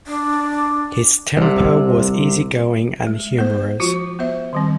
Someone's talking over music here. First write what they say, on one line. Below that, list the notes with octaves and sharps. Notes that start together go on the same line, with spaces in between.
His temper was easy-going and humorous.
D4
C2 C3
G#3
B3 C5
F3 F4 F#4
B3 C5 E5
D#3 G3 C4